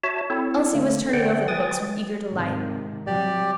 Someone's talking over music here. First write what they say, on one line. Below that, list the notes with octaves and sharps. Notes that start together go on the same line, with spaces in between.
Elsie was turning over the books with eager delight.
F#4 C#5 E5 A5
C4 E4 A4 C#5
D3 A3 A#3
D3 C5 D5 F#5 G5
B4 G5 G#5 D#6 A6
G#3
G#2 C3 D#3
C3 F#3 G3 G4 D5